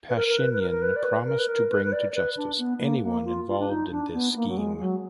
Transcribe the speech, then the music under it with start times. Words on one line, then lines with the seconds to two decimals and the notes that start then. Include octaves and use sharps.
Pashinyan promised to bring to justice anyone involved in this scheme.
0.09 B4
0.16 A#4
0.28 A#4
0.38 B4
0.53 B4
0.60 A#4
0.71 A#4
0.82 B4
0.96 D5
1.04 B4
1.26 A#4
1.39 B4
1.48 A#4
1.71 B4
1.85 B4
1.92 D5
2.15 B4
2.37 D4
2.59 B3
2.81 A#3
3.03 A#3
3.25 F4
3.47 F4
3.59 D4
3.70 D#4
3.91 D4
4.14 B3
4.36 A#3
4.48 F#3
4.58 G#3
4.80 F#3